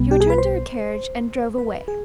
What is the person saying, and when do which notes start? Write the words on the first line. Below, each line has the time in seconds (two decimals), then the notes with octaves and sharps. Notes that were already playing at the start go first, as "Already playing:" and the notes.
She returned to her carriage and drove away.
Already playing: B1 B2 G3 B3
0.11 G4
0.20 G#4
0.30 B4
0.38 C5
1.58 B4
1.88 G#4